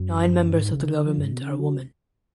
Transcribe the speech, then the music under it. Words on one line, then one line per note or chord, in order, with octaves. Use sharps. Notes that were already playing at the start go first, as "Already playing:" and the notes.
Nine members of the government are women.
Already playing: F#2
G#2
C#3
D3
F3
F#2
G#2
B2
C#3
D3
F#3